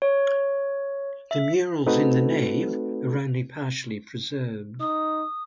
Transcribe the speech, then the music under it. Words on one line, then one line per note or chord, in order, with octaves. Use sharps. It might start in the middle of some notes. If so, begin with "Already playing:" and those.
The murals in the nave are only partially preserved.
C#5
E5
A3 C4 D#4 F#4 A4 B4
D#4 D#6